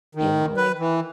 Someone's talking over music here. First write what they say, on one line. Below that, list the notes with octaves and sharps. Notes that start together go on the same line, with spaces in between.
you know, like,
D#3
B4
E3